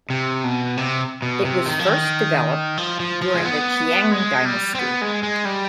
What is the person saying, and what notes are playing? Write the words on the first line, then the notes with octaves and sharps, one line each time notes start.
It was first developed during the Qing dynasty.
C3
B2
C3
B2
C3
D#3
F3
D#3
F3
F3
F3
G#3
B3
G#3
G3
C4
B3
G#3
G#3
G3